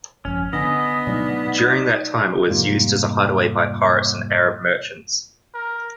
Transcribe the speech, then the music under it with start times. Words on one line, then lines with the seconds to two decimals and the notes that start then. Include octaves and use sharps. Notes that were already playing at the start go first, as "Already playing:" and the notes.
During that time it was used as a hideaway by pirates and Arab merchants.
0.25 G#1 F#2 F3 C#4
0.53 D3 B3 D4 D#5 G#5
1.07 B2 F#3 A3 D#4 D5
2.47 F2 G#2 C3 G3 A#3 F4
5.54 A#4